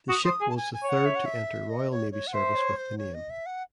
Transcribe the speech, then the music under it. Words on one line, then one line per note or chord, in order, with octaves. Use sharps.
The ship was the third to enter Royal Navy service with the name.
F#4 D#6
C5 D#6
G#4
A5
G#5
G#5
C#5
F#5
E5
F#5
E5
D#5
C#5
C#5
F#5
C5 E5
C#5
C5
C#5
D#5
E5
F#5